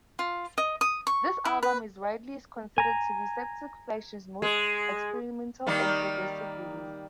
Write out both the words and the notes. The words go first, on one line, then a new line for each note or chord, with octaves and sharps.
This album is widely considered to be Septic Flesh's most experimental and progressive release.
F4
D#5
D#6
C#6
E4
B4
G#5 A#5
G#3
D#3 G3 A#3